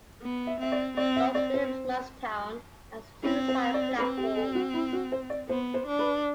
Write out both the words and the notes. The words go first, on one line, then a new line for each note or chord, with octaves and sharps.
North Willimastown has two side platforms.
B3
E5
C4 E5
D5
C4 D5
E5
C4 D5
C5
C4 E4
C5
D5
C4 B4
G4
A4
F#4
E4
F#4
C5
D5
B3 C5
C5
D4
B4